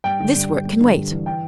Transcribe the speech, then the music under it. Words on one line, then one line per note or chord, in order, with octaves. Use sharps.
'This work can wait.
G2 G5
D3
G2
D3
G2
D3
G2
E3
G5